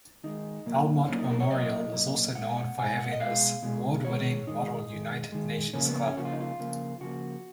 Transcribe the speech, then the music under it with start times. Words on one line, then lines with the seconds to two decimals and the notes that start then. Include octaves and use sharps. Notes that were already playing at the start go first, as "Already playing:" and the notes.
Elmont Memorial is also known for having its award-winning Model United Nations club.
0.24 D#3 G#3 D#4
0.66 A#2 F#3 A#3
1.08 A#2 F#3 A#3 C#4
1.18 D#4
1.30 A#4
1.40 C#5
1.50 A#2 F#3 A#3 D#5
1.93 A#2 F#3 A#3
2.35 B2 G#3 F#5
2.50 G#5
2.56 F#5
2.77 B2 G#3 G#5
2.99 F#5
3.12 D#5
3.19 B2 G#3 F5
3.63 B2 G#3
4.05 D#3 G#3 C#5
4.47 D#3 G#3 D#4
4.89 D#3 G#3
5.32 D#3 G#3
5.74 C#3 F3 A#3 C#4
5.88 B3
6.02 C#4
6.16 C#3 F3 A#3 F#4
6.25 F4
6.32 D#4
6.40 F4
6.59 C#3 F3 A#3
7.01 C#3 F3 A#3 F#4